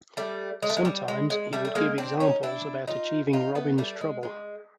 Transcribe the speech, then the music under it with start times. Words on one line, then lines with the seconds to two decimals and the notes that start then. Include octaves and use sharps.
Sometimes, he would give examples about achieving Robin's trouble.
0.17 G3 A3
0.62 G#3
0.70 A3
0.77 G#3
0.85 G3
1.08 G#3
1.30 G#3
1.53 G3 A3
1.65 A3
1.75 G#3 A#3
1.98 C4 D4
2.20 C#4 D#4
2.43 D4 E4
2.87 D#4 F4
3.33 D#4 F4
3.55 A3 B3
3.78 G3 A3
4.01 G#3
4.23 G#3